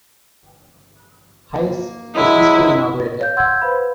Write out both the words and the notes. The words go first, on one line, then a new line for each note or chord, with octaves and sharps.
Hayes was peacefully inaugurated.
A#3
F#3 G#3 E4 D#6
C#5 F5 G6
F#5 C6 E6 G6 G#6
B4 C5 F5 B5
B4